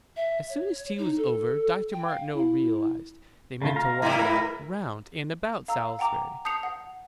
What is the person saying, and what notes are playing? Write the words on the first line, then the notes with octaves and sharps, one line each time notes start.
As soon as tea was over, Dr. Martineau realized, they meant to walk round and about Salisbury.
E5
C#5
D#4
A4
G5
F5
E4
C#3 A3 F4
F5 A#5
G#2 E4
A#4 B4
F5 A#5 E6
F#5 G5 A#5 D6
A5 D#6 G6 C7 C#7 F7
F#5